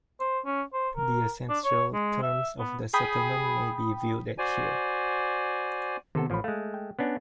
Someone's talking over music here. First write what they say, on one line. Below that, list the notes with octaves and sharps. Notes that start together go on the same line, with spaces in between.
The essential terms of the settlement may be viewed at here.
C5
C#4
C5
A#4
D4
C#5
G#3
E5
B3
G#4 G5 B5 D#6
F#4 C5 D5 G#5
C3 D#3 B3 A4
A1 F3 C#5 B5
G#3 A3 F5
G5
B3 C#4 D4